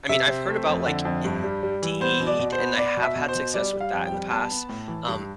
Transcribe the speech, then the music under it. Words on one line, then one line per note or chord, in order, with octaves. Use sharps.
I mean, I've heard about, like, Indeed, and I have had success with that in the past, um,
C3 E5
C4
A3
F2
D3
F2
G2
G3
G3
E3
B3 C5
B2
D5
B2
C5
B3
B3 D5
B2
E5
B2
C5
B2
G3 D5
G3
F5
F2
G5
G3
B3 A5
B3
A2
E3
G2